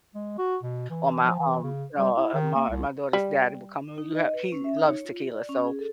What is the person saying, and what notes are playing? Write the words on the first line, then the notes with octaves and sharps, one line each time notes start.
Or my, um, uh, um, my my daughter's daddy will come over. "You have" he loves tequila. So
G#3
F#4
B2
E3
F3
E3
C#3
G3
E4
D#3
A#3
C2
G3
D#4
D#5
B4
C#4
E5
D#4
C#5
F4
D5
C#4
G#4
A4